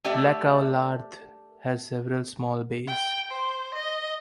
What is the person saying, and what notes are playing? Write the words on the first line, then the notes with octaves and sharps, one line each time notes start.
Lac au Lard has several small bays.
A3 D4 G4 D5 E5
G5
C5
D#5